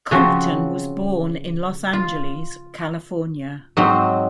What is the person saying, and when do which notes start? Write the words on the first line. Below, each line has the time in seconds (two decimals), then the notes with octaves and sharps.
Compton was born in Los Angeles, California.
0.11 C#3 F3 C4 F#4
1.93 F4
3.77 G#2 F#3 C4 D#4